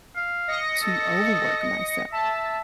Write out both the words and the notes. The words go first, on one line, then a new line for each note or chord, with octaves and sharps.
to overwork myself,
F5
D#5 A#6 C#7
A4
E5 A5